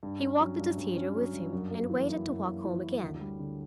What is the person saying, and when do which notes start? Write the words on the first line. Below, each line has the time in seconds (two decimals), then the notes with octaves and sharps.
He walked to the theater with him and waited to walk home again.
0.03 G2
0.22 C#4
0.40 F#3
0.59 G2
0.78 G2
0.97 C#4
1.15 F#3
1.33 G2
1.53 F#2
1.71 A#3
1.90 E3
2.09 E4
2.28 F#2
2.46 A#3
2.65 E3
2.84 E4
3.02 D2
3.21 G3
3.40 D3